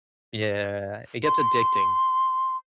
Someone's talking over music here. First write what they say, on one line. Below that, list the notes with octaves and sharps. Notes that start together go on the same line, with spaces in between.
Yeah, it gets addicting.
C6